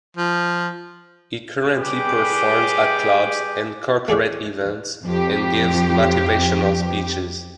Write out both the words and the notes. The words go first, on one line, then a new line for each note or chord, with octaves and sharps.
He currently performs at clubs and corporate events and gives motivational speeches.
F3
G3 G4 G#4 B4 G5 D6
A3 G#4 D5 E5
F2 G4